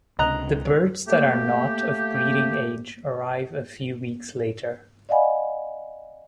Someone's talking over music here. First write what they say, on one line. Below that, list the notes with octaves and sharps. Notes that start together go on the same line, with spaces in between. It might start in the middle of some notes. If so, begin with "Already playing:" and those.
The birds that are not of breeding age arrive a few weeks later.
C#2 C3 D4 D#5 A#5 F#6
A3 A#3 G4
D5 D#5 F5 F#5 G#5 B5